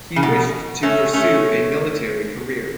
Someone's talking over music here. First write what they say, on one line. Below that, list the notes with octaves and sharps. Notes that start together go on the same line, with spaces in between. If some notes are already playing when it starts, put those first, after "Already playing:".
He wished to pursue a military career.
C#3
B2
A3 C#4
A3 C#4